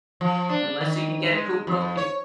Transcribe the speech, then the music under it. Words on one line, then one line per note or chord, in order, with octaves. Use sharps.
unless you can get a coop real cheap.
F3
D4
D#3
G#3
F2
C#5